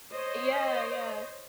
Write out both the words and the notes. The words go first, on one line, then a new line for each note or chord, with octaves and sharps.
Yeah, yeah,
C5 C#5 D#5